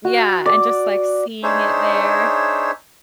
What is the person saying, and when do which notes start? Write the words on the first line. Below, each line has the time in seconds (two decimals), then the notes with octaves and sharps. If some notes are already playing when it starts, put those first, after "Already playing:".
Yeah, and just like seeing it there.
0.05 F#4
0.46 D5
1.43 D4 D#4 G#4 C5 C#5 E5